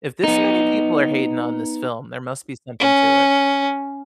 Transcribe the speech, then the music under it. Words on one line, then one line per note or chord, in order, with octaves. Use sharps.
if this many people are hating on this film, there must be something to it."
B3 D#4
C#4